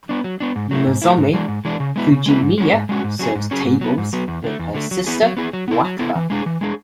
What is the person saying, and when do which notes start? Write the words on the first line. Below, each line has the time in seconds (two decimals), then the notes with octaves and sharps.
Nozomi Fujimiya serves tables with her sister Wakaba.
0.09 B3 D4
0.24 F#3
0.40 B3 D4
0.56 G#2
0.71 F#3 A3 E4
0.87 G#2
1.02 F#3 A3 E4
1.17 G#2
1.33 E3 G#3 D4
1.48 G#2
1.65 E3 G#3 D4
1.80 C#3
1.96 G#3 B3 E4
2.11 C#3
2.26 G#3 B3 E4
2.42 G#2
2.58 G#3 C#4 F#4
2.73 G#2
2.89 G#3 C#4 F#4
3.04 G#2
3.19 F#3 C#4 G#4
3.35 G#2
3.51 F#3 C#4 G#4
3.66 G#2
3.81 F#3 B3
3.98 G#2
4.13 F#3 B3
4.28 E2
4.44 D3 A3
4.59 E2
4.74 D3 A3
4.91 F#3
5.07 B3 E4 G#4
5.22 F#3
5.37 B3 E4 G#4
5.53 F#3
5.68 B3 E4 A4
5.84 F#3
5.99 B3 E4 A4
6.15 E3
6.30 G#3 D4 G#4
6.46 E3
6.61 G#3 D4 G#4